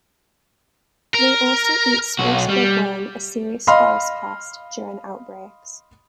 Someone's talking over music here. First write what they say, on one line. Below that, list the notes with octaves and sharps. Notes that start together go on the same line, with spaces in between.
They also eat spruce budworm, a serious forest pest, during outbreaks.
A#4
B1 F#4
G3
D#5 F5 B5 C6 F6